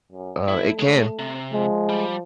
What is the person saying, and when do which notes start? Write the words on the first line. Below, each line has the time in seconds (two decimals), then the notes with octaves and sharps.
Uh, it can.
0.12 F#2
0.48 A3 E4
0.79 G#3 C#5
1.19 C3
1.53 F3 G#3
1.89 G3